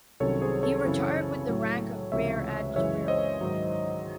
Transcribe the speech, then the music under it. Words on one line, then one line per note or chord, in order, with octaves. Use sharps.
He retired with the rank of Rear Admiral.
C2 C3 D#3 F#3 C#4 A4 C#5
G#4 C5
A4 C#5
F#2 C#3 E3 C4 E4
A2 F#3 A3
C#2 C3 E3 C#5 E5
F#2 C#3 E3 G#3 C#5 E5
C5 D#5
G#2 D#3 F#3